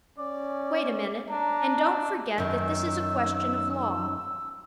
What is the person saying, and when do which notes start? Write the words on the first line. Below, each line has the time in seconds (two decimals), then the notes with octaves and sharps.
Wait a minute, and don't forget that this is a question of law.
0.18 C#4 D5
1.30 D4 A#5
2.38 F#2 D#3 E6